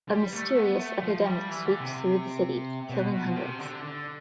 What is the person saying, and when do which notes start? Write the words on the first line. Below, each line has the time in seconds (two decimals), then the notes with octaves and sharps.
A mysterious epidemic sweeps through the city, killing hundreds.
0.09 G3
0.33 A3
0.56 B3
0.79 A3
1.03 F3
1.26 G3
1.49 E3
1.65 D3
1.80 C3
2.89 B2
3.12 B2
3.36 C3
3.59 D3
3.82 D3